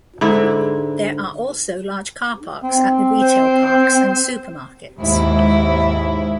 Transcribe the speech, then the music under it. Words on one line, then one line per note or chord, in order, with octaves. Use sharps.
There are also large car parks at the retail parks and supermarkets.
G#2 D3 E4
C4
C5
D#2 G#2 E4